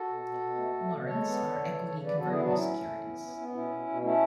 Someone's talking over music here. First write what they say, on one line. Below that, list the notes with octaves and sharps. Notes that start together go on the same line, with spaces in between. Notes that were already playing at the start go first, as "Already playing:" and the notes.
Warrants are equity convertible securities.
Already playing: F#4 A4
B2
B2
B2
A3
A3
B2
G#3 A4 C#5
B3
D3
E3
C#3
C#3
D3 B4 D5
B3 F#4 A4
E4 G#4
F#3 D4 F#4
A2 C#4 E4
A3
A2
B3
B3
B3
B2 C#4 E4
B2
B2
A3 C#4 E4